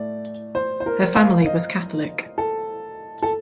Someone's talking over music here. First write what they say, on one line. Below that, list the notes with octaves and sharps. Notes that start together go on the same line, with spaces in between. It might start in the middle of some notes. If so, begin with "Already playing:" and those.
Her family was Catholic.
Already playing: A2 A3 D5
C5
C5
A#4
F5
D#5
A4
A4